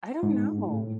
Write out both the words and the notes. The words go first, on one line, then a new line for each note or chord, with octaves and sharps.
I don't know.
G#2
A2